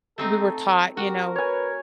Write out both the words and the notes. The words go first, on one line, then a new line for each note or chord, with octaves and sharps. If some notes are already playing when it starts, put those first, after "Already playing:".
we were taught, you know,
A3 C4 D#4 A4
F#4 G4 A#4
B4 C#5 G#5